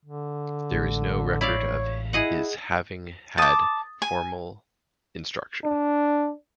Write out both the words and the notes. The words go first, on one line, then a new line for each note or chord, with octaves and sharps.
There is no record of his having had formal instruction.
D3
A1 G#3
E4 C#5 D5 F5
E4 G#4 D#5 F#5
A5 D6 D#6 A6
G#5
D4